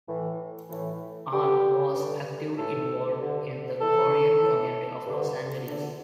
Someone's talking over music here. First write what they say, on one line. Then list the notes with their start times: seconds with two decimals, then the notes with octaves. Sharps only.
Ahn was actively involved in the Korean community of Los Angeles.
0.07 A2 E3
0.70 A2 E3
1.32 G2 D3 G4
1.94 G2 D3
2.56 A2 E3 A4
3.19 G2 D3
3.81 E2 E3 A4
4.42 A2 E3
5.05 G2 D3
5.67 E2 D3